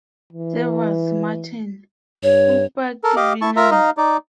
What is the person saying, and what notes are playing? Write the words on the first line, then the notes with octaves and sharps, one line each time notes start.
Sievers, Martin: Purpurkvinnan.
E3
G2 C#5
A4 A#4
G4 D#5 F5 D6
E4 A5 C#6
F4 A#4 E5 A#5
D#4 D#5 F5
D#4 D5